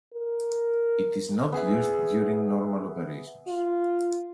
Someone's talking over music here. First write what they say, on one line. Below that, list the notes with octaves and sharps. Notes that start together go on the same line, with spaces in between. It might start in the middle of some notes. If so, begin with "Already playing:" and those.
It is not used during normal operations.
A#4
B3 G#4 E5
F4